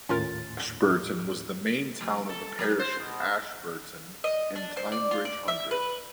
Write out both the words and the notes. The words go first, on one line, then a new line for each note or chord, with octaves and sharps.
Ashburton was then the main town of the Parish of Ashburton, in Teignbridge Hundred.
D#2 A2 C#4 F4 A#4 A6
F#3
A4
F#3
C5
B2
D#5
D4
C5
D5
F4
D5
E5
B4